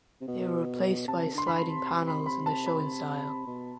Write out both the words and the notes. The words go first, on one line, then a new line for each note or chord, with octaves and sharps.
They were replaced by sliding panels in the Shoin style.
C3
B2
C3 A5
D3 C6
B5
C3
C6
B5
B5
A5
B5
B2